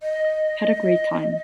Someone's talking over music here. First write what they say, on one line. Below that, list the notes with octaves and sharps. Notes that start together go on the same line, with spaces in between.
Had a great time.
D#5